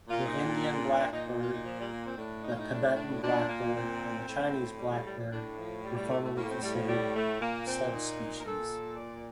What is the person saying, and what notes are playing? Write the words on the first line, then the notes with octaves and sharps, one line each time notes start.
The Indian blackbird, the Tibetan blackbird, and the Chinese blackbird were formerly considered subspecies.
A#2 F4
D#4
D4
A#2 D#4
D#4
F4
D#4
F3
G3
A#3
C4
A2 D4
D#4
F4
D#4
D4
D4
A#2 D4
A#3
C4
A2
G3
G3
G3
F3
A2 D4
F3
G3
G3
A3
A3
A2 A#3
C4
G3
F3
G3
A3
A#2 A#3
C4
D#4
A#4
A#2 A4
D5